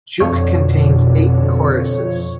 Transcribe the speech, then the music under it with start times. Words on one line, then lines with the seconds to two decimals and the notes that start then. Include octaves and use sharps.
"Juke" contains eight choruses.
0.20 F2 B2 D3 C#5